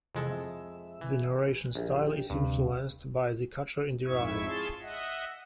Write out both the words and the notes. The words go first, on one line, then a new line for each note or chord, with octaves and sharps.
The narration style is influenced by The Catcher in the Rye.
F2 C3 E3 G#3 A4
E5
E3
A#1 G4
D2 G2 C3
F2 G#2 E4 E5 C#6 G#6
F4 G#4 C#5 A5 C6
D#5 E5 F#5